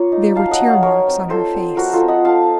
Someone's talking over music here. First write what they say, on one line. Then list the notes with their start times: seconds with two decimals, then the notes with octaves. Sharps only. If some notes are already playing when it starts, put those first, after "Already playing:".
There were tear-marks on her face.
Already playing: A#3 F4 C#5
0.12 D#4
0.35 F#3 F5 A5
0.51 D#5 F#5
0.60 F#3
0.67 C#5 F5
0.82 F#3 A#4 C#5
1.07 C4
1.30 F4 A4 C5
1.54 C4
1.77 F3 F#4 A#4
1.93 F4 A4
2.02 C4
2.08 D#5 F#5
2.24 F4 F5 A5